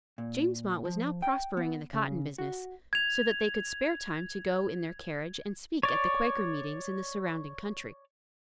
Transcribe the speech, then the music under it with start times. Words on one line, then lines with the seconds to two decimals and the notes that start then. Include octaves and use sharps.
James Mott was now prospering in the cotton business, so that they could spare time to go in their carriage and speak at the Quaker meetings in the surrounding country.
0.18 A#2
0.85 F3
1.22 G5
1.57 B3
1.93 C#3
2.38 F#4
2.93 G#6 F7
5.83 C#5 D5